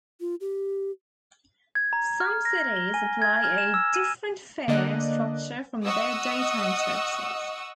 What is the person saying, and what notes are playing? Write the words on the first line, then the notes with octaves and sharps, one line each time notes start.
Some cities apply a different fare structure from their daytime services.
F4
G4
G#6
A#5
F6
A#6
G7
G#5
G#6
F6
E7
E6
D#7
D3 A#3 D5 D#5 F#6
D#5 F#5 C#6 D#6 E6